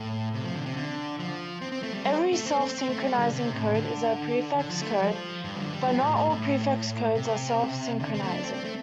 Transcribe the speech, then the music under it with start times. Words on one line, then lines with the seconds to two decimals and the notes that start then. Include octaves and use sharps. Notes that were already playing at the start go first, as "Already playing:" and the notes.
Every self-synchronizing code is a prefix code, but not all prefix codes are self-synchronizing.
Already playing: A2
0.34 C3
0.44 F3
0.55 D3
0.66 C3
0.77 D3
1.19 F3
1.61 C4
1.72 C4
1.83 A3
1.93 G3
2.04 C4
2.33 A3
2.46 C4
2.60 C4
2.74 C4
2.89 A3
3.03 G3
3.18 D3
3.32 C3
3.53 A2
3.74 D3
4.59 D3
4.70 F3
4.82 A3
4.92 G3
5.02 F3
5.44 G2
5.55 F3
5.59 D3
5.73 G3
5.88 F3
6.02 A2
6.16 A2
6.30 A2
7.15 C3
8.00 D3
8.14 C4
8.22 A3
8.32 D4
8.43 C4
8.54 C4
8.64 A3